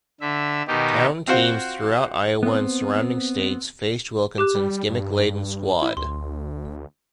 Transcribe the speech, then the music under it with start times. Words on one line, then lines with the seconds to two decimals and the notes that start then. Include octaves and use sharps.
Town teams throughout Iowa and surrounding states faced Wilkinson's gimmick-laden squad.
0.21 D3 E5
0.68 B2 D#3 D#4 G4
1.28 C4 F4 F#4 C5
2.43 B3 C4
4.38 G4 D6 F#6
4.55 G3
4.89 G2
5.82 E4
5.97 D2 C6